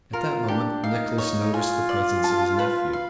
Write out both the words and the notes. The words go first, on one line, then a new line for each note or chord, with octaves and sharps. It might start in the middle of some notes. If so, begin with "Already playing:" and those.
At that moment Nicholas noticed the presence of his nephew.
F4 A#4
D4 G4
D#4 F5
C#5
F4 G#5
D5
A5
B4
F5